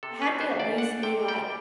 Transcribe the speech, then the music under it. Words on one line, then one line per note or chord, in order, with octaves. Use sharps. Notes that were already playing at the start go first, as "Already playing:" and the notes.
had to at least be, like,
C3 A4
B4
G3
C5
E2
D5
D4 F#5
C3 G5
G3 G5